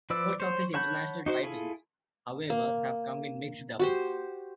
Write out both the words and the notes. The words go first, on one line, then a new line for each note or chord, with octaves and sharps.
Most of his international titles, however, have come in mixed doubles.
F3 B4 D5 E6
C5 C#5
C#5 F#5 A5 B5 G6
D#4 F#4 C5
E4 F4 G#4 A4
A#3
F#4 G4 C5